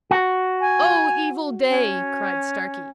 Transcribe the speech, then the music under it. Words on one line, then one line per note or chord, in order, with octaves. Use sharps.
"O evil day!" cried Starkey.
F#4
G#5
C#4